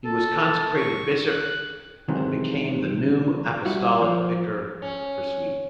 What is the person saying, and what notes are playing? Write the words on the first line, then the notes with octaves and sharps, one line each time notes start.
He was consecrated bishop and became the new apostolic vicar for Sweden.
A4
C#6
F#6
G#2 C3 D#3 E3 F#3
G3 E4 F#4
F3
C#4